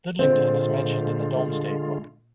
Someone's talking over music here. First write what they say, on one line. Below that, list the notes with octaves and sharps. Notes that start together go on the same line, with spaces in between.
Lidlington is mentioned in the Domesday Book.
A#2 D3 G#3 C4 F4